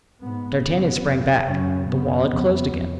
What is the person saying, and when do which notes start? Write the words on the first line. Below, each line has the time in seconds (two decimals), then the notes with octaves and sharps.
D'Artagnan sprang back; the wall had closed again.
0.22 G#2 B3
0.63 F#2 C#3 B3
1.04 F2 C#3
1.45 F#2 C#3 C#4
1.86 F#2 C#3 B3
2.28 F2 C#3
2.70 F2